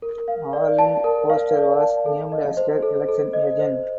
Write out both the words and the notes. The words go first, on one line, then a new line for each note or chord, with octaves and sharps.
Arlene Foster was named as her election agent.
A#4
F5
D5
A5
A#4
F5
D5
A5
A4
D#5
C5
A4
A4
D#5
C5